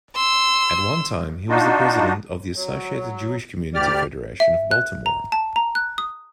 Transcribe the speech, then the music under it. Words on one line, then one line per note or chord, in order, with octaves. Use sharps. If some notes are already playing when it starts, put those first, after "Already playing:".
At one time he was president of the Associated Jewish Community Federation of Baltimore.
C6 E6
D4 D#4 F4 F#4
F#3
D2 G4 D5 F6
E5
F#6
A#5
A5
A#5
F#6
D#6